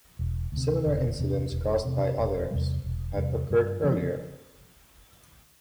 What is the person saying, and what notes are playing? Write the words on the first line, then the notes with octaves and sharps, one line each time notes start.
Similar incidents caused by others had occurred earlier.
E1
D2 C3
E1
E2 C3
E1
E2 C3
E1
E2 C3 G3
E1
E2 C3 G3
G2
F3 B3 D4